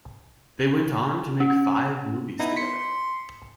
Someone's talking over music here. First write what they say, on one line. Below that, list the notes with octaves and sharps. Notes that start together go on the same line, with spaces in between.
They went on to make five movies together.
C#4
B3 D#4 E4
C6 B6 C#7